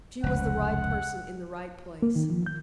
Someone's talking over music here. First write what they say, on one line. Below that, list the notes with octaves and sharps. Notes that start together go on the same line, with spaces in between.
She was the right person in the right place.
F1 C#2 F#5
A#3
D#3
F3
G6